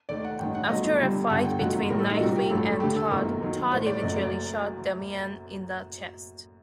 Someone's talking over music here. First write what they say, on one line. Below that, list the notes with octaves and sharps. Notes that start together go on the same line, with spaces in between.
After a fight between Nightwing and Todd, Todd eventually shot Damian in the chest.
D#2 D#3 A3 D5
F#5
A1 G2 D#3 G5
F#5
G1 G2 F#3 A3 D#5
D#5
G1 G2 D3 G3
G1 G2 D3 G3 F#5
G5
G1 F#2 D#3 F#3 A3 F#5
A1 A2 G3 A#4
A4
D#4
C2 A#2 G3 F#4
G4
A1 G2 F#3 A3 A4
D#2 D3 A3 G4
A4
G1 F#2 D#3 A3 A#4
D#2 D#3 F#3
A1 A2 A3 C5
D5
F#1 F#2 F#3 A3 D#5
D5